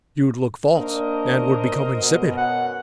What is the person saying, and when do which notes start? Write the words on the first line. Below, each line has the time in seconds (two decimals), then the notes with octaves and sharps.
You'd look false and would become insipid.
0.75 A#3 D4 A#4 C5 D#5
1.98 B2
2.37 F#2 F#5